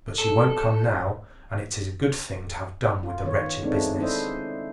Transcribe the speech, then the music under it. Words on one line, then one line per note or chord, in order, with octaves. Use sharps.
But she won't come now, and it is a good thing to have done with the wretched business.
A4
F4
D#3 B3 C#5
G#3 A3 B3 C4 D4 D#4
A3 D4 E4 C5 D#5 E5